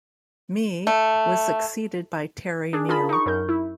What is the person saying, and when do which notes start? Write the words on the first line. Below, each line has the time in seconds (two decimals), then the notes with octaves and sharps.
Mee was succeeded by Terry Neill.
0.87 A3
2.73 D4 G#4
2.89 F4 G#4 A#4 A5 B5
3.09 D#4 C#6
3.26 F#2 A#4 G6
3.49 E4